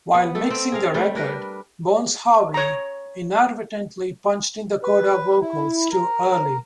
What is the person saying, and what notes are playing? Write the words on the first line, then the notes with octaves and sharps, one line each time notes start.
While mixing the record, Bones Howe inadvertently punched in the coda vocals too early.
B3
A3 A4
C4
G#4 A#4 F5
G3 A3
D4 A#4 B4
C#5 A#5
B4
E4
A#4